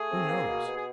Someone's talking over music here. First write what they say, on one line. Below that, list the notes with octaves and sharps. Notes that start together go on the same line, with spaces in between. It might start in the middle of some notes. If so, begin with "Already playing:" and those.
Who knows?
Already playing: A3 G#4
C4
A#3
B2
B2
G#4